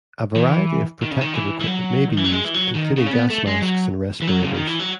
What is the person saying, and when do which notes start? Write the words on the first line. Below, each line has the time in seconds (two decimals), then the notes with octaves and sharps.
A variety of protective equipment may be used, including gas masks and respirators.
0.36 E3
1.02 D#3
1.11 C#3
1.21 D#3
1.34 E3
1.62 E3
1.67 F#3
2.09 D#3
2.17 E3
2.24 F#3
2.32 G#3
2.44 E3
2.54 F#3
2.75 D#3
2.97 C#3
3.06 C#4
3.13 B3
3.30 A3
3.47 G#3
3.62 F#3
4.22 E3
4.27 F#3
4.42 C#3
4.54 D#3
4.67 E3
4.80 F#3